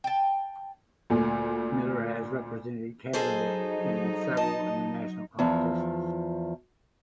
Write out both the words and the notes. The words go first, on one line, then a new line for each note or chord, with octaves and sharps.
Miller has represented Canada in several international competitions.
G5 A5
D2 A#2 G#5
F#3 D#4 G#4 A4 C5
D#5 A5
E2 F3